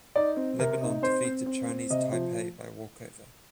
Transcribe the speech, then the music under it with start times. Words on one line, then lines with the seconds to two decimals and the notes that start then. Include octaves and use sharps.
Lebanon defeated Chinese Taipei by walkover.
0.15 D#4 D5
0.37 C4
0.59 C3 A#4
0.81 D#4
1.02 C4 C5
1.25 C4
1.46 C4
1.69 C4
1.90 C3 D#5
2.12 F3